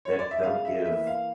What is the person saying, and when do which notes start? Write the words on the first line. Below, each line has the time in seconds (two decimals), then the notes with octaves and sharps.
that don't give
0.05 C#5
0.19 D5
0.31 E5
0.43 C#3 F5
0.65 E5
0.85 E3 A#3 E5
1.07 F5